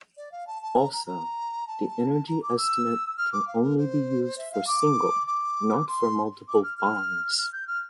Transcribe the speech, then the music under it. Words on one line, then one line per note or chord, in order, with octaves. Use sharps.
Also, the energy estimate can be only used for single, not for multiple bonds.
D5
F5
A5
A5
A#5
A#5
A#5
A5
A#5
D6
E6
F6
D6
F5
A#4
C5
E5
F5
D6
D6
C6
D6
F6
F6
F6
G6
F6